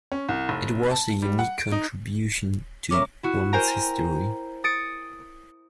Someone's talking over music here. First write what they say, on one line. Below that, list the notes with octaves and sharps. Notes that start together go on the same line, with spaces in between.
It was a unique contribution to women's history.
C#4
C2
F1
A5
G3
F#5
D7
D#4
C#4 A#4 E5 D6
E4 F#4
A#4 C5 G5 G#5 A#5
D#6 A6 C#7 D7